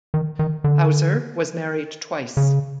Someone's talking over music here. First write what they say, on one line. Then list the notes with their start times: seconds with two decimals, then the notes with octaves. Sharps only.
Hauser was married twice.
0.14 D#3
0.39 D#3
0.64 D3
2.37 C#3